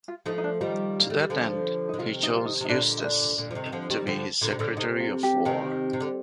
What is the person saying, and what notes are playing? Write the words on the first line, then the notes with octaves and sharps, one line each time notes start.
To that end he chose Eustis to be his Secretary of War.
F4
F3 A3 D#4
D#4
D4
D#3 G3 F4
A#3
A3
G3
D3 F3
D3 D#4
C3 D#3 F4
D#4
F4
D#4
C3
D#4
A#2 D3 D4
D#4
D4
A#2 D3
F3
C3 D#3
D#3
D3 F3
D#3 G3
D3 F3
A#2 D3
C3
A#2 D3
C3 D#4
F4
G4
C3 D#3
C3
D3